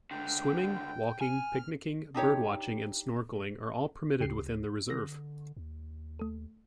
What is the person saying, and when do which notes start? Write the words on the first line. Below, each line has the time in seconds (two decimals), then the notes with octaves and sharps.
Swimming, walking, picnicing, bird watching and snorkelling are all permitted within the reserve.
0.11 C#2 D3 G5
1.21 G#5 F6
2.14 D4 D#4 G4 C#5
4.21 D2 C#3 G4 C7
4.90 D3 A#6
5.57 D#2
6.19 A3 A4